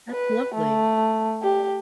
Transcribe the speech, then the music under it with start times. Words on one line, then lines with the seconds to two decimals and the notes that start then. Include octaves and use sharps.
That's lovely.
0.11 B4
0.55 A3
1.43 G4